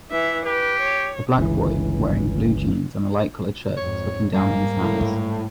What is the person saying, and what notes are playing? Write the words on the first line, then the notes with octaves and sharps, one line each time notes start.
A black boy wearing blue jeans and a light colored shirt is looking down at his hands.
E3 E5
G4 B4
C#5
G1 C#2 E3
F2 G#2 C#5
G#2 G3 A#3 F5 G#5
A2